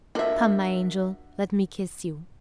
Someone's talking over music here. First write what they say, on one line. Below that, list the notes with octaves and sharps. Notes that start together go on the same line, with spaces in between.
"Come, my angel; let me kiss you."
D4 F4 F#4 A#4 E5